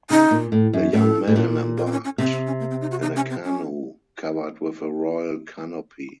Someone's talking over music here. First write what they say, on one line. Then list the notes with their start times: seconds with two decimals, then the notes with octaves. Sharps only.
The young man embarked in a canoe covered with a royal canopy.
0.10 C#3 D#4
0.31 A#2
0.52 A2
0.73 F#2
0.93 A2 A4
1.27 A2
1.36 A#2
1.78 A#4
1.86 C4
1.92 C#4
2.04 C#4
2.18 C3 C4
2.32 C4
2.47 C#4
2.60 A#3
2.71 C4
2.81 D#4
2.91 F#4
3.02 D#4
3.16 C#4
3.30 C4
3.44 C#4